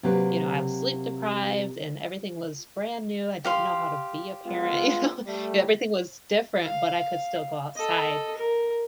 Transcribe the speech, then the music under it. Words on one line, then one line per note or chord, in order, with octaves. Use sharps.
you know, I was sleep deprived and everything was brand new, I didn't know how to be a parent, you know? Everything was different, but I could still go outside,
C3 F#3 A#3 G4 B4
G4 F5 C6
G#3 B3 F4
G3 A3
F5
A4 D#5
A#4